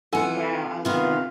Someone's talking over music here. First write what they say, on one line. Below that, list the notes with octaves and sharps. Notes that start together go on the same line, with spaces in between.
wow, I love that.
C3 E3 F4 A4 F#5 G#5
C3 D#3 B3 C4 F4